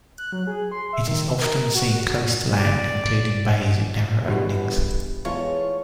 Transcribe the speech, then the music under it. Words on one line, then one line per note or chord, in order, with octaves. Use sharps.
It is often seen close to land, including bays with narrow openings.
F#6
F#3
G#4
C6
E5
D#3
A#4
F#4
D5
G1 E3 G#3 B3 F#4 G4 F#5
E2 G#3 A3 F4 C#5